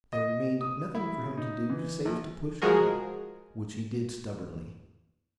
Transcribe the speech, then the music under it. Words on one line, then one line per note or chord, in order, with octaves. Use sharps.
There remained nothing for him to do save to push on, which he did stubbornly.
D#5
D#6
E4
C#3
D#4
E3
A#1
F3 G#3 F#4 G#4 A#4